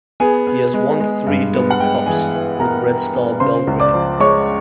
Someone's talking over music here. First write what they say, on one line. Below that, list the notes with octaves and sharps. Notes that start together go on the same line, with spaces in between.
He has won three double cups with Red Star Belgrade.
B3 G#4 G#5
B3
G#3
G#3
G2
B3
F#5
G#3 G5
E3 G#4 G#5
E3
B3 A#4 A#5
B3
B3
C#3 C5 C6
C#2
D5 D6
F3
G#3 C#5 C#6